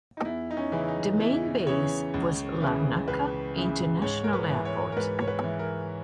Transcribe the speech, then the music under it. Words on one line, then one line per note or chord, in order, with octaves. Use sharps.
Its main base was Larnaca International Airport.
D#4
E2 E4
D#4
C#4
C#3 E3
D#4
E2 E4
C#3 E3 C#5
C#2
C#3 E3
C#2 B4
C#3 E3
G#2 C#5
A#4
B4
E3
C#5
A#4
G#2 B4
C#5
B4
E3
A#4